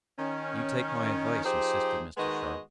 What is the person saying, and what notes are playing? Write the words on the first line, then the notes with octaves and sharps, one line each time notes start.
"You take my advice," insisted Mr. Sharp.
D#3 C#4
F3 D#4 G4 G#4 C5
D#3 G#3 B3 F#4 B4 D#5